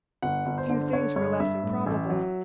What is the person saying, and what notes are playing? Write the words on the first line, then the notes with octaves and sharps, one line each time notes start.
Few things were less improbable.
G1 F#5
G1
C5
D3
D3 C#5
G2 C#5
G2 E5
A2
A1
F#3